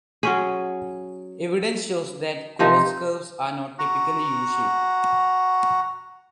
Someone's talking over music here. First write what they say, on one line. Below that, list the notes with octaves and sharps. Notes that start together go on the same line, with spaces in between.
Evidence shows that cost curves are not typically U-shaped.
F#3 C#4 G#4
C3 F3 D#4
F#4 F#5 A#5